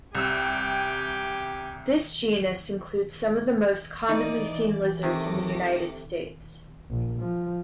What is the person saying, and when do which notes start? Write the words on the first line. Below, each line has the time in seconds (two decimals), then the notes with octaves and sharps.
This genus includes some of the most commonly seen lizards in the United States.
0.15 C2 G4 G5 G#5 E6
4.09 E3 D#4 D5
5.03 C3 D#3 A3 D6 A#6
6.90 A#1
7.20 F3